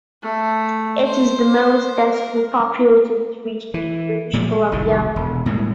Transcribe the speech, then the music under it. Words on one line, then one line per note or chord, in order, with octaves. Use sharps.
It is the most densely populated region in British Columbia.
A3
C5
A#4
E3
A#2 F3 F#3 G#3
G#3
F1 C2 A2 D#3
E1
C2 A2 G#3 A#3